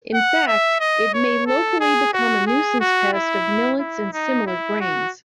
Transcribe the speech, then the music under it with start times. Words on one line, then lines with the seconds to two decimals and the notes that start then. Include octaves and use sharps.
In fact, it may locally become a nuisance pest of millets and similar grains.
0.14 F#5
0.47 E5
0.80 D#5
1.14 C#5
1.47 A4
1.80 G#4
2.13 F#4
2.47 G#4
2.80 F#4
3.13 E4
3.80 E4
4.13 D#4
4.47 E4
4.80 F#4